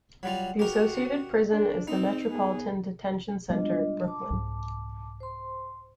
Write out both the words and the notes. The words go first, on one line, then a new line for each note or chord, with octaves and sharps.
The associated prison is the Metropolitan Detention Center, Brooklyn.
F#3 G3 F4
F#4 G4 A#4
D4
C4 D#4
B3 G#4
G3 G#3 B3 D4 F4 D#5
A5 D6
C2 G#2
C5 C6